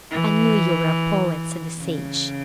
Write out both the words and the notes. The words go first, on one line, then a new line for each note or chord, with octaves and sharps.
"I knew you were a poet," said the sage.
E3
C#3